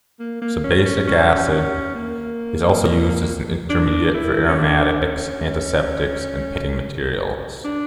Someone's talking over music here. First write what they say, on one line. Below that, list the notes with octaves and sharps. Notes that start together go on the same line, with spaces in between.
Sebacic acid is also used as an intermediate for aromatics, antiseptics, and painting materials.
A#3
A#3
C#4
C#4
C#4
C#4
A#3
D4
E4
C#4
D4
C#4
D4